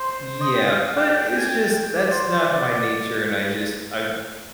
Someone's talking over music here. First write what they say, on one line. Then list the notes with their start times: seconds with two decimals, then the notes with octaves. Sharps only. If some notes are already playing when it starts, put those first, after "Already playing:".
Yeah, but it's just that's not my nature, and I just I've
Already playing: C5
0.41 D#5
0.55 G5
0.69 F5
0.97 G5
1.26 G5
1.36 G#5
1.48 G5
1.96 D5
2.11 C5
2.39 D5